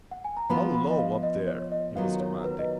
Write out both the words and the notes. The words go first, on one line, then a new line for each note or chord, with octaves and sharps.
"Hullo, up there!" he was demanding.
F#5
G#5
A#5
F3 B3 F4 B5
B5
D#5
F5
D#5
C#5
D#5
D#3 F#3 B3 F4 F5
C#5
B4
D#5